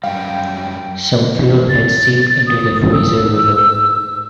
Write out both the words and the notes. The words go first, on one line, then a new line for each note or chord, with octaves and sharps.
Some fuel had seeped into the Fraser River.
F#2 G3 F5 G5
A6
D#6
E6